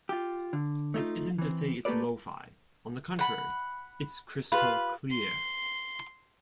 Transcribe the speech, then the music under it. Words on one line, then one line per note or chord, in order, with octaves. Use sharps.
This isn't to say it's lo-fi; on the contrary, it's crystal clear.
F4 G4
D3
A3 D#4 F4
E3 C4
A3 A#3 G4 A4 B4 D5
F#5 B5
F4 G4 B4
C6